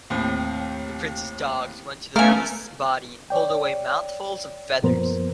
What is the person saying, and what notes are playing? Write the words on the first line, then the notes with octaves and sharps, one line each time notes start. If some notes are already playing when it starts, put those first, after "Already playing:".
The Prince's dogs went to the beast's body and pulled away mouthfuls of feathers.
D#2 A2 C4
A3 B3 C#4 A#4 F5 G#5
C#5 D5 G5
F#2 A#2 F3 B3 A#4 C5